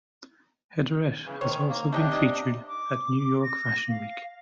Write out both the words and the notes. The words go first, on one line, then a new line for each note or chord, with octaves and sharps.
Heatherette has also been featured at New York Fashion Week.
C#3 E3
D#3 C5 C#5
A#3
C3 A3 D4 D#4 G5
D#5
D6
A#6
F5